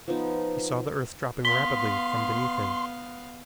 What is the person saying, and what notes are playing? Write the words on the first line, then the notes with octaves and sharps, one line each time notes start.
He saw the earth dropping rapidly from beneath him.
F3 B3 D#4
B3 F5 C6 B6